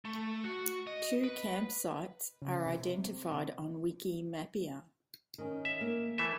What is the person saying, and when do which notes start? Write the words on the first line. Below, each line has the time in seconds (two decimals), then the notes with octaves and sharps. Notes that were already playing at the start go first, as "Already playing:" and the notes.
Two campsites are identified on Wikimapia.
0.05 A3
0.44 F#4
0.87 D#5
1.24 B4
2.42 C#3
2.66 C3
5.38 D#3 C#4
5.65 E5
5.81 A#3
6.18 E3 A3 E5